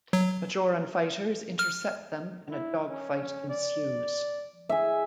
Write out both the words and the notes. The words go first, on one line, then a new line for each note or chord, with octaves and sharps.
Bajoran fighters intercept them and a dogfight ensues.
F#3
F6
E4
C#4
D5
G#4 E5